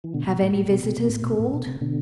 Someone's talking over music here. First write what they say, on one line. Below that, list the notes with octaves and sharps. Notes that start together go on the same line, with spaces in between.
"Have any visitors called?"
E3
B2 D3
B2
A2
A2
B2
B2
B2
A2
B2
A2
B2
C3
B2 D3